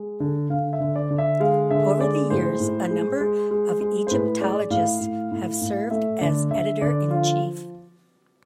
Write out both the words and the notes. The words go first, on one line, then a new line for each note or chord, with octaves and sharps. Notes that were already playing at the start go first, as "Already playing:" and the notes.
Over the years a number of Egyptologists have served as editor-in-chief.
Already playing: G#3
D3
D3 F5
E5
D3
D5
D3
E5
G#3 F5
D3 E5
G#3 D5
A2 C5
A2
G#3
G#3
G#3
G#3
C5
A2 B4
G#3 D5
A2 F5
A2
A2
A2
A3 E5
D3 D5
D3 E5
D3 D5
F3 F4